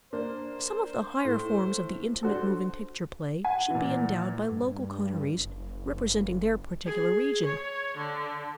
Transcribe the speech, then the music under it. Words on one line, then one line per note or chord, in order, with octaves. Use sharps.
Some of the higher forms of the Intimate Moving Picture play should be endowed by local coteries representing their particular region.
A#3 D4 C5
A2
D4 F#4 A4 C5
F#5 G#5
A#2 E3
G2
F#1
G#4
C#5
D3